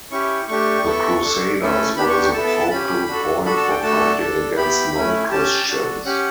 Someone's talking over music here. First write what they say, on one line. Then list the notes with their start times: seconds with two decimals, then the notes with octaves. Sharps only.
The Crusades were the focal-point for fighting against non-Christians.
0.11 C#4 E4 G4 C#6
0.48 A3 D4 G4 C#6
0.86 B3 E4 A4
1.23 D4 A4
1.60 A3 C#4 E4 A4
1.96 B3 D4 G4 B5
2.09 C#6
2.22 C#6
2.34 B3 E4 A4 A5
2.47 A5
2.59 A5
2.70 C#4 G4 B5
3.08 D4 F#4 A4
3.45 D4 F#4 A4 B5
3.57 A5
3.65 F#5
3.70 G5
3.82 A3 D4 F#4 A4 A5
4.20 D4 A4
4.56 B3 E4 G4 B5
4.94 A3 C#4 E4
5.30 C#4 G4 A5
5.68 D4 F#4 A4
6.05 C#4 G4 F#5